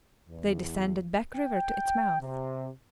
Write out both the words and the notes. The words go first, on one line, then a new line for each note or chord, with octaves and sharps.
They descended Back River to its mouth.
E2
G5
C3